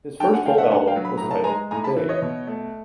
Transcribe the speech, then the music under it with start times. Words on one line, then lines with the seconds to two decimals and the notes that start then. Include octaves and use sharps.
His first full album was titled "Bae".
0.20 D3 G5 A5
0.33 F#5 G#5
0.45 A3 F5 G5
0.58 E5 F#5
0.71 D3 F#5 G#5
0.87 F5 G5
0.96 F#3
1.05 B5
1.18 A2 A#5
1.31 A5
1.44 G#3 G#5 A#5
1.71 A2 G#5 A#5
1.84 A5 B5
1.97 E3
2.09 C#5 D#5
2.22 B2
2.47 A3